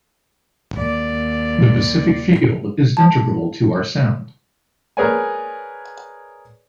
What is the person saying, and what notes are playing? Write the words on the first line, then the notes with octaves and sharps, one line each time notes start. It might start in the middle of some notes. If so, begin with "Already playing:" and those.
The Pacific feel is integral to our sound.
D#2 D5
A5
G#4 A#4 B4 C#5 D5 G#5